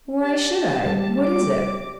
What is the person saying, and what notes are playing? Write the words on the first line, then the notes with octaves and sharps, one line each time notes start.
"Why should I? What is it?"
G4 A5
G3
D6